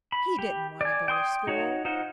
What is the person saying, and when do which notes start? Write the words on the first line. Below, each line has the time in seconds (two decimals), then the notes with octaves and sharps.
He didn't want to go to school.
0.12 B5
0.39 G4
0.81 D5 G#5
1.08 G5 C6 D#6
1.47 D#4 F#4 C#5
1.85 D#4 F4 C5 F#5